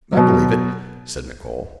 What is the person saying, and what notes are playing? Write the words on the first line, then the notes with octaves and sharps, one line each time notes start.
"I believe it," said Nicholl.
B2 F#3